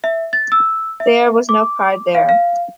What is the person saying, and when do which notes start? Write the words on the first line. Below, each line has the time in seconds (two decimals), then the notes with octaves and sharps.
There was no pride there...
0.04 E5
0.33 A6
0.52 E6
1.00 E5
1.49 D6
2.15 F5
2.29 F5